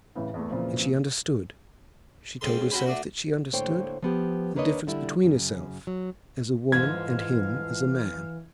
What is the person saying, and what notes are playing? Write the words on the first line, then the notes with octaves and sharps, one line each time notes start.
And she understood, she told herself that she understood, the difference between herself as a woman and him as a man.
A2 C#3 E3
E2 A3
A#2 C#3 E3 F3 A#3 C4
G#2 C4 C#4 G#4 A4 C6
C4 C#4 F#4 C5 G#5 B5
A3 D4 F#4
A2 D3 A#3 C5 C#5 G5
F3 B3 G4
D#2 A#3 D4 B4 C#5 D#5
D3 G3 E4
F#2 C#3
F#3
F2 G#2 E3 F3 F5 G#6